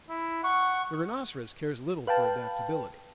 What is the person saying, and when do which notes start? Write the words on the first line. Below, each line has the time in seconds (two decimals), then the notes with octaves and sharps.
The rhinoceros cares little for adaptability.
0.09 E4
0.44 F#5 C#6
2.07 B4 F5 G5 A5